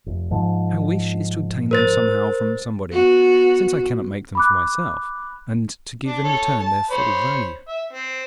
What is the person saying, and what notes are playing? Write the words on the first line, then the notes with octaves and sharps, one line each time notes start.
"My wish is to obtain them somehow from somebody, since I cannot make them for myself, and to give in return their full value."
F1
G#2 F3
A#4 C5 A6
B3 F#4
B5 D6 F#6
D4
A4 C#5
A5
C5 C#5 B5
E5
C4